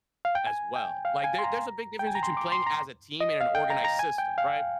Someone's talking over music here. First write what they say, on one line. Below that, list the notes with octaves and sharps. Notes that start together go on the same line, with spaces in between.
as well. Like, there there's a big difference between playing as a team in an organized system, right?
F5
G5
G#5
G5
F5
G#5
C6
A#5
G5
G#5
A#5
C6
D6
C6
A#5
D#5
F5
G5
A#5
A#5
G#5
G5
F5